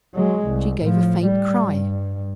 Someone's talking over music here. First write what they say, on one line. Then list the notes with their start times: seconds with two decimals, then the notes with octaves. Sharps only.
She gave a faint cry.
0.14 F#3 G#3
0.47 C2
0.82 A2 F3
1.25 G3
1.62 G2